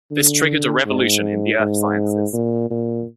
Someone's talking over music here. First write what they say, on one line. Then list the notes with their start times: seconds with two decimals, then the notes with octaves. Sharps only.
This triggered a revolution in the earth sciences.
0.11 D3
0.86 G#2
1.59 G#2
2.33 A#2
2.70 A#2